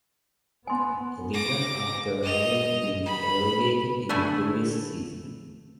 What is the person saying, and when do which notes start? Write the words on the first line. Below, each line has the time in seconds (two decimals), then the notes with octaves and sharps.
Liga after having been relegated in the previous season.
0.67 B3 G#5 C6
1.34 D6 A#6
2.23 D#5 F7
3.06 B5
4.09 D3 A3 E4 G#5